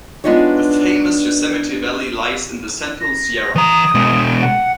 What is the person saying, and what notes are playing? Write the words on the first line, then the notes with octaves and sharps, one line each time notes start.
The famous Yosemite Valley lies in the Central Sierra.
G#3 B3 D4 D#4 F4 C#5
A#6
E3 A#5 D#6
B2 G#3
F#5